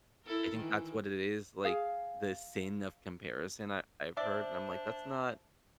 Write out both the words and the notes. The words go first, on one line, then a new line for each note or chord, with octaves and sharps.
I think that's what it is, like, the sin of comparison I I've heard. And I'm like, that's not
E4 A4 A#4
D#3 E3
G#4 F5
D4 C5 D5 E5